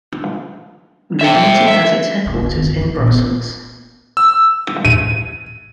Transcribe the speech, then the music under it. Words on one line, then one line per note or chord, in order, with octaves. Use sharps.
The Committee has its headquarters in Brussels.
E5 G5
E5
B2
C#3
D#3
F#1
E3
A#2
B3
E6
D#7